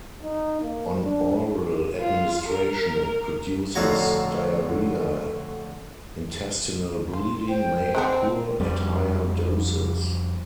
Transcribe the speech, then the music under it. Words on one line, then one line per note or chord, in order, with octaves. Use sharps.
On oral administration, it produces diarrhea; intestinal bleeding may occur at higher doses.
D#4
A#3
D4
F4
A#4
F2 A2 D3 F#4 C#5 A#5
F4 C6
C5 G5
G#3 B3 C4 D4 F#5
F2 G3